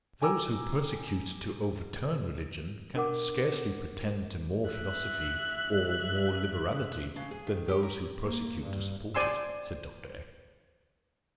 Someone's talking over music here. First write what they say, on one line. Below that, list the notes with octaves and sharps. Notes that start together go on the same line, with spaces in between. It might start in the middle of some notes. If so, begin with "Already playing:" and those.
"Those who persecute, to overturn religion, can scarcely pretend to more philosophy, or more liberality, than those who persecute to support it," said Dr. X----.
G5 G#5 A#5 D6 E6
D4 A#4 F#5 D6
E5 F#6
C#3
G#4
D#3
G4
A#4
A#3
G2
C5 D5 G#5 C6 E6